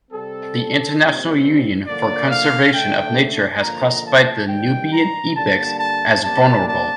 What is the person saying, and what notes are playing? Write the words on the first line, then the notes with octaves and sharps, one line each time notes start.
The International Union for Conservation of Nature has classified the Nubian ibex as "vulnerable".
C3 G3 C4 A4
A#2 G3 C4
D3 F3 A#3 D4 D5
F5
D3 A3 D4 G5
D3 F3 A#3 A#5
A5
G2 D#3 G3 G5
A#5
D3 G3 A#3 D4 A5
A5
C3 G3 A#3 D4 A5
A5